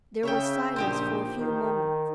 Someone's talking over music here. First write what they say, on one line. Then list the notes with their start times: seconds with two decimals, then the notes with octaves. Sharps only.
There was silence for a few moments.
0.23 C#3 C#5 E5 G5
0.76 A#1 D#4 G4 C5
1.38 D#3